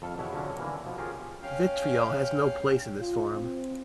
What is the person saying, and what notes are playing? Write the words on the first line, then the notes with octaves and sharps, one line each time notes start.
Vitriol has no place in this forum.
F2 A4 F5
E2 B2 E4 C#5 E5 F#5
D3 F3 F#3 C#4 D4
D3 E3 A#3
B2 F3
C#4 F4 G4 G#4 A#4
C#4 F5 G5
F4
C4